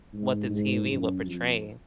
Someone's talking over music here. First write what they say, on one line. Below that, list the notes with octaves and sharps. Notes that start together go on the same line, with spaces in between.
what the TV would portray.
G#2
G#2
F#2
F2